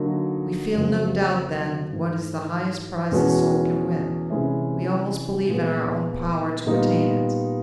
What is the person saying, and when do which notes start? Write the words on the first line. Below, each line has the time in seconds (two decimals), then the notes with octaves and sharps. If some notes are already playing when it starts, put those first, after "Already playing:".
We feel no doubt then what is the highest prize the soul can win; we almost believe in our own power to attain it.
Already playing: D3 F#3 A#3 D#4
0.75 F2 C#3 F#3 A#3
1.93 G#2 E3 A3
3.11 E2 B2 G#3 C#4 F#4
4.30 C3 E3 G#3 C#4 E4
5.48 A#2 F3 G#3 B3
6.66 A#2 G3 B3 D#4